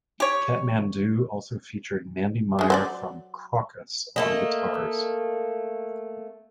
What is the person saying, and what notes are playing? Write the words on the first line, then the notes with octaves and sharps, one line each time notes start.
Katmandu also featured Mandy Meyer from Krokus on guitars.
G4 C#5
G#3 D4
F#3 C5 D5
A3 A#3 D#5